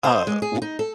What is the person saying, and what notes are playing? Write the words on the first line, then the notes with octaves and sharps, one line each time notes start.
Uh, w
C5
G#3
G#4
D#4
A4